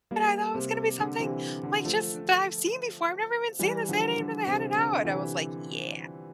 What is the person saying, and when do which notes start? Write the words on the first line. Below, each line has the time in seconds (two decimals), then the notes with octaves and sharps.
I thought it was gonna be something, like, just that I've seen before, I've never even seen this, I didn't even know they had it out!" And I was like, "Yeah.
0.11 G3 A#3
0.54 C3
0.98 D3
1.20 C3 E3
1.63 D3
1.85 F3 A3
3.59 E3 G3
3.89 D3 F3
4.18 D3
4.47 C3
4.76 D3
5.05 C3 E3